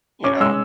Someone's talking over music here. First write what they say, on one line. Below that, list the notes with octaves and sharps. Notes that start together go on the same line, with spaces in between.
you know?
C#4 D6
G#3 E6